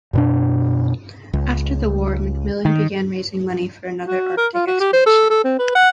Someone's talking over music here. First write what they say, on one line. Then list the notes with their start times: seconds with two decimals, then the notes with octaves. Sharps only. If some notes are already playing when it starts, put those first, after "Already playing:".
After the war, MacMillan began raising money for another Arctic expedition.
0.13 F#2 B2 D4
1.33 C#2
2.65 D#3
4.06 F#4
4.37 A#4
4.54 F4
4.68 F#4
4.80 G4
4.93 C5
5.06 A4
5.30 A4
5.44 C4
5.59 B4
5.75 F#5